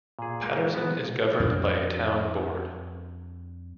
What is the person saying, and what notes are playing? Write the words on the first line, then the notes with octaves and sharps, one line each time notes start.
Patterson is governed by a town board.
A#2 G#4
G#3 A#4
B3 F#4
F2 D4